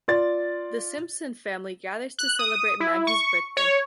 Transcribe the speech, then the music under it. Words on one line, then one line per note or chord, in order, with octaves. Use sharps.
The Simpson family gathers to celebrate Maggie's birthday.
F4 D5 A6
F#6
D#6
E4
C#6
C#5